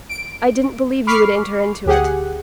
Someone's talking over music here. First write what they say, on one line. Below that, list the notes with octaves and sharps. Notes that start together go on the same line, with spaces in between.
I didn't believe you would enter into it.
D7
B5 C#6 D6 F6 C7
D2 G4 G#4 F#5